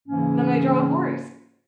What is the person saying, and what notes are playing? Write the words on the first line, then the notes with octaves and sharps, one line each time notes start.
Then I draw a horse.
G#2 C#3 E3 A#3 C#4